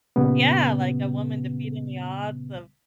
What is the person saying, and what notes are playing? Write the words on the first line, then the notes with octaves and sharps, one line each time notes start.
Yeah. Like, a woman defeating the odds of,
A#2 C#3 G3 B3